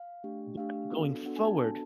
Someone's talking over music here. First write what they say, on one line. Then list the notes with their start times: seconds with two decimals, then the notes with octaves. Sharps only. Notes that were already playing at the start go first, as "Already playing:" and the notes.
but going forward,
Already playing: F5
0.24 A3 D4 G4
0.57 A3 D4 G4 F5
0.91 B3 D4 F#4 A4
1.26 B3 D4 F#4 A4 F#5
1.36 G#5
1.48 A5
1.59 B3 D4 F#4 A4 A5